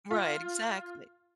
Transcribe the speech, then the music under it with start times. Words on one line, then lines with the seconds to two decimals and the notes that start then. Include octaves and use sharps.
Right, exactly.
0.11 F4